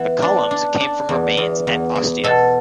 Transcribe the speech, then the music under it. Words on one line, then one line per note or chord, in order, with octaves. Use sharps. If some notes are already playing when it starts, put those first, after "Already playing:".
The columns came from remains at Ostia.
Already playing: E2 E3 F#5
D4
D4
D4
E2
E2
E2
E2
B2 A4